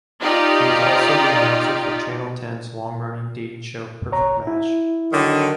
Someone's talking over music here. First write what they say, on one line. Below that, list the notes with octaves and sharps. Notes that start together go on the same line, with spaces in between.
He was also the announcer for Channel Ten's long-running dating show "Perfect Match".
D#4 F4 G4 D5
C#5 A#5
E4
D3 D#3 F#3